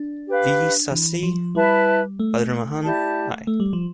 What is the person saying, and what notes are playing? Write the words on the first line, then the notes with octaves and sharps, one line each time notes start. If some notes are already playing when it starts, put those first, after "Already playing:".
V. Sasi, Padmarajan-I.
Already playing: D4
G4 B4 F5
E3
F3
G3 E4 B4 E5 A5
A3
E4 G4 D5 A5
A3
G3
F3